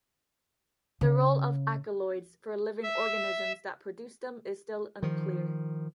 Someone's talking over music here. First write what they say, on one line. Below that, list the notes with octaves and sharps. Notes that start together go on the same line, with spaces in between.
The role of alkaloids for living organisms that produce them is still unclear.
C#3
E5
D#3 F3